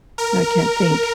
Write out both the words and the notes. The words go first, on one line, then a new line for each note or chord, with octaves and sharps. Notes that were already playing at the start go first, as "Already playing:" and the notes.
I can't think.
A#4